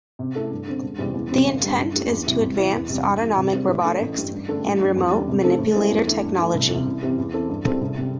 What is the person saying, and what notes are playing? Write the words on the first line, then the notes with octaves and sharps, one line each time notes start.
The intent is to advance autonomic robotics and remote manipulator technology.
C3
A3 E4 A4
G2
D3 C4
E1
E2 C3 G3 C4
E2
C3 G3 C4
G1
G2 G3
G2
D3 A3 E4 G4
E2
C3 G3 E4
C3
E3 C4 E4
E2
C3 G3
G2
E3 G3
C3
G3 C4 G4
A2
A3 D4 A4
A1
G2 G3
G2
D3 A3 D4 A4
A1
G2 G3 D4
E2
D3 G3
C3
E3 A3 C4 A4
A2
G3 E4 A4 C5
E2
D3 A3 E4
G2
E3 A3
C2
C3 E3
C2
C3 E3 C4 G4
E2
E3 C4 A4
G2
G3 C4 E4 A4
C2
C3 G3